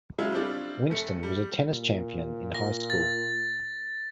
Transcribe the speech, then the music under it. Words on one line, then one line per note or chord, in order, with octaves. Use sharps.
Winston was a tennis champion in high school.
C#3 F#3 G#3 E4 F4
G3 A3 C4 D4 F4
F1 A3 C#7
G3
A#2
A#6
A6